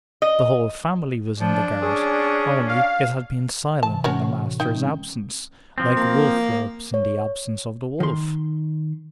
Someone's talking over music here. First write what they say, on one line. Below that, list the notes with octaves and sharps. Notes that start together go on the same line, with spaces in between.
The whole family was in the garret. Only, it had been silent in the master's absence, like wolf whelps in the absence of the wolf.
D#5
F3 D4
C#4 G#4
F5
C3 E3 A5
C#4 F#4 C#5
A2
D#4 G5
G#3 C4 C#4
F3 C4
A#3
C#5
D#3 C6